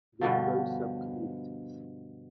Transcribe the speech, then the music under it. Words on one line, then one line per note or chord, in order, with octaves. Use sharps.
There are no subcommunities.
G2 B2 D3 F3